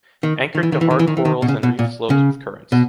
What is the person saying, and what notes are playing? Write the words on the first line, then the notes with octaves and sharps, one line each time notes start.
Anchored to hard corals and reef slopes with currents.
D#3
D#3
E3
D#3
E3
D#3
E3
D#3
E3
D#3
B2
C#3
B2
A#2
C#3
B2